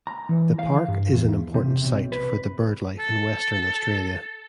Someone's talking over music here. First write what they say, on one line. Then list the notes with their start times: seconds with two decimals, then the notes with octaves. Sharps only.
The park is an important site for the bird life in Western Australia.
0.07 A#5
0.29 E3
0.59 F5
0.88 G2
1.13 E2
1.54 C3
1.84 B1
2.12 B4
2.99 A4